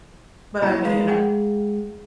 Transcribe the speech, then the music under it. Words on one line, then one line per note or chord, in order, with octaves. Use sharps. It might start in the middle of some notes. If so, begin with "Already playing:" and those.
but I mean,
A#2 E4 A#5 B5
G#3 F5
G#4 F#5 G5